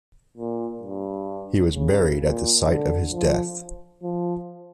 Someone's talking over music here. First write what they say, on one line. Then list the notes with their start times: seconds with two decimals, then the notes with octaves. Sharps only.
He was buried at the site of his death.
0.37 A#2
0.82 G2
1.74 C#3
2.20 A#2
2.65 D3
3.12 F3
4.03 F3